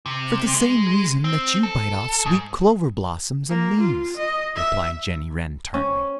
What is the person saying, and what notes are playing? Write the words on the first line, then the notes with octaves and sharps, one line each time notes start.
"For the same reason that you bite off sweet clover blossoms and leaves," replied Jenny Wren tartly.
C3
G#3
C4
A4
G#2
A#3
F4
D#5
E5
C#4